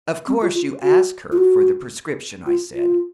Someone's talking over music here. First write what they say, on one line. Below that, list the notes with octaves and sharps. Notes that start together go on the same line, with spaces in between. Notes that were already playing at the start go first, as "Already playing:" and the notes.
"Of course you asked her for the prescription?" I said.
C4
F4
F4
F#4
F4
F#4
F4
F4